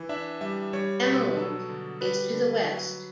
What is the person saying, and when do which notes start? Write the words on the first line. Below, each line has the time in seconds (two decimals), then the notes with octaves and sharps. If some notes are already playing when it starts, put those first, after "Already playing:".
Emerald is to the west.
Already playing: E3
0.09 D4 E5
0.41 G3 E5
0.73 G3 C#5
1.05 B2 C#5
1.21 B4
1.37 F#3 A4
1.69 D3
2.01 G3 B4
2.34 D3
2.65 F#3